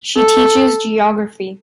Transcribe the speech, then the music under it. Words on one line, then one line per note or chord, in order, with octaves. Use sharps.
She teaches geography.
A4